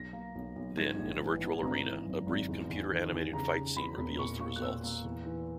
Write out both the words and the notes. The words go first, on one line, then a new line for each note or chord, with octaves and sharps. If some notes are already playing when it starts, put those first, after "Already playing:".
Then, in a virtual arena, a brief computer-animated fight scene reveals the results.
Already playing: B1 A#6
A#3
B1
B1
G#2 G#6
A#1
E3
B3
G#1 A#5
E3
F#2
G#1
E2
E2
D#3
E2
C#3 A#5
C#3
E2 B5
E1
A#2 C#6
A#3 C#6
F#6
A#2 E6
A#3
E2
E3